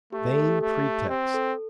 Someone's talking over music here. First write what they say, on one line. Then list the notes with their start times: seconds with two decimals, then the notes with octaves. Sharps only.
Vain pretext!
0.13 A3 G4
0.25 A4
0.36 A4
0.49 G4
0.62 A3
1.09 C4
1.34 A4